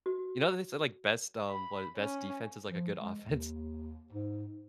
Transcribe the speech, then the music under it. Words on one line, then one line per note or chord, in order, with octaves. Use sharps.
you know, they said, like, best, um, wha best defense is like a good offense.
F#4
B5
C#4
F3
G#3
D#2
G#2